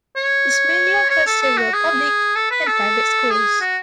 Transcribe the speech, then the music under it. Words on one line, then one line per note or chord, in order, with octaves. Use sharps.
Ismailia has several public and private schools.
C#5
C#5
A4
A4
F#4
G#4
A4
B4
A4
G#4
F#4